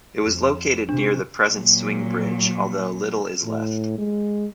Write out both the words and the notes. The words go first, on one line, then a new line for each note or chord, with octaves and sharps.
It was located near the present swing bridge although little is left.
F2
C3 D4
A#2 F#3
A2
G#3